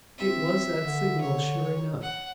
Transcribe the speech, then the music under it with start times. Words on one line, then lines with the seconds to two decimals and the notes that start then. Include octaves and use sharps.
It was that signal, sure enough.
0.18 C4 E5
0.82 D3
1.21 C#5
2.02 F#5